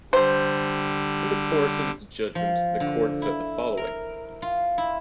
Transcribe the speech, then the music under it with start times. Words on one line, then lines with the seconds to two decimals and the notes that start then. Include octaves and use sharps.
In the course of its judgment, the Court said the following.
0.13 D3 G3 C5
2.35 F3
2.80 D3
3.22 E4
3.77 A#4
4.42 F4
4.78 E4